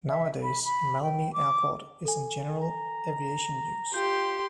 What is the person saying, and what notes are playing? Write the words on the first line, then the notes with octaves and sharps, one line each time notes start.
Nowadays Malmi Airport is in general aviation use.
E5
B5
B5
G5
D6
A4 G#5
A#5
F4 G4 C6 G6